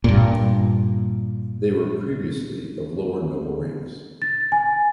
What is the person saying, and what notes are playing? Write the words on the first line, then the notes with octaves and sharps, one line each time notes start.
They were previously of lower noble ranks.
G2 A#2
A6
G#5